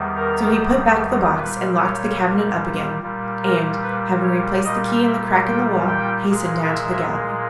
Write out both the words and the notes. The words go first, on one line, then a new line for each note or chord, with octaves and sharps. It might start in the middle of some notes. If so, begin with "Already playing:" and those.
So he put back the box and locked the cabinet up again, and, having replaced the key in the crack in the wall, hastened down to the gallery.
Already playing: E2 D#3 G3
A#4
A#2 G3 B4
C#5
A#2 G3
A#4
B4
C#5
A#2 G3 D#5
E5
G5
G5
A#2 G#3
E5